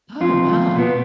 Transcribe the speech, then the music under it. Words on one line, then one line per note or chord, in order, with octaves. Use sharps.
Oh, wow.
F2 F4
B2 B3